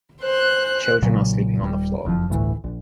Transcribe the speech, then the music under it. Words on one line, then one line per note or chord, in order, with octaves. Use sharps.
Children are sleeping on the floor.
C5 F#6
B1 A#2 C#3 F#3
D#1 G3
F#1 F2 C#3 F3
G1 D2 A2 E3
A#1